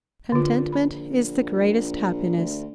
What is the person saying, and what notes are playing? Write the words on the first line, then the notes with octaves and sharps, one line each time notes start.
"Contentment is the greatest happiness."
A#1 D3 F4
A#1 B5
D2